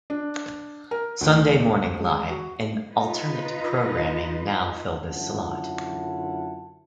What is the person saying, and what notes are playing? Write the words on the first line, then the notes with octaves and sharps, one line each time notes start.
"Sunday Morning Live" and alternate programming now fill this slot.
D4
A#4
D2
G#3
F#4
D#4 F4 B4 D#5
F#2 D3 E4 F4 F#5 A5